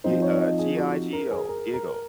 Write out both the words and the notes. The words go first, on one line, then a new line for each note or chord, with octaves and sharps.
g uh, G-I-G-O, GIGO.
F3 C4 D#4 C5
C#5
D#5
G#4
F#4
A#4
G#4
A#4
A#4